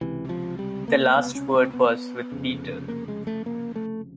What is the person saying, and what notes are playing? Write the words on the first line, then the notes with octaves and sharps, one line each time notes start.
The last word was with Peter.
C#2 C3 E3
F3
G3
A#3
B3
C#4
C4
B3
F1 F2 C#3
A#3
G#3
A3
A#3
A3